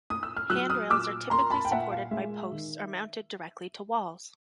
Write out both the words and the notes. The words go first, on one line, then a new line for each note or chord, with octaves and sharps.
Handrails are typically supported by posts or mounted directly to walls.
D#6
E6
F6
F#3 E6 F#6
D#6 F6
A#2 D6 E6
A#3 A#5 C6
A5 B5
G5
A#2 E5 F#5
F5
G#3 E5
D#3